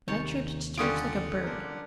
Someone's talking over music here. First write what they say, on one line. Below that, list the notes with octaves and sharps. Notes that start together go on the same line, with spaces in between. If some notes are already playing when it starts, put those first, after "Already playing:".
But I tripped to church like a bird.
D#2 C3 D#3 C#5 A5
D3 G3 C#4 F4 G#4 A4 D#6 D7
D4 A#4